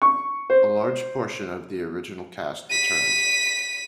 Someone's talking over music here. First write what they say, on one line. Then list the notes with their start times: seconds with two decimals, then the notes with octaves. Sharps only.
A large portion of the original cast returned.
0.02 C#6
0.50 C5
2.70 B6 D#7